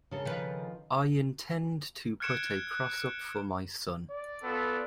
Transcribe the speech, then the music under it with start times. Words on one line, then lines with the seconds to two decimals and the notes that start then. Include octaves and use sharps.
I intend to put a cross up for my son.
0.11 C#3 A4 A#4
0.25 D#3 F3 B4
2.20 F6 F#6 G#6 C#7 D7 E7
2.71 F#6
4.11 D5
4.44 B3 F4 A4